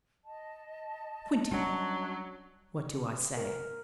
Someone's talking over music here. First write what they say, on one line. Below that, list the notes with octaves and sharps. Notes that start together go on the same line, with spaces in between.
Twenty! what do I say?
D#5 A5
F#3 G3 C#4 D4
A#4